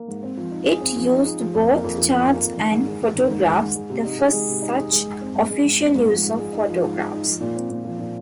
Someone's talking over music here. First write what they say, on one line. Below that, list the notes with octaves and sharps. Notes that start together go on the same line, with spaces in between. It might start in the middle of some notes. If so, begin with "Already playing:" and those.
It used both charts and photographs, the first such official use of photographs.
Already playing: A#3
G#2
C4
F3
D#4
G#4
C4
F3
D#4
G#4
F3
F2
A#3
F2
F3
F2
A#3
F2
D#3
G#2
G#3
G#2
D#3
G#2
G#3
G#2
G#3
C3
D#4
G#4
G#3
C3
D#4
G#4
G#3
G#2
C4
G#2
G#3
G#2
C4
G#2
F3
G#2
G#3
D#4
F3
G#2
G#3
D#4
F3
A#2
C4
A#2
F3
A#2